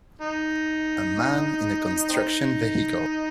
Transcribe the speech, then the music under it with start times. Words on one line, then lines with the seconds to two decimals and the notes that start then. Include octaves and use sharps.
A man in a construction vehicle.
0.21 D#4
2.09 C4 D#4